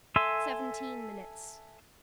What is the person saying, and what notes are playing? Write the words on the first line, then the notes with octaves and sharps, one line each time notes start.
Seventeen minutes.
A4 E5 G#5 C6 E6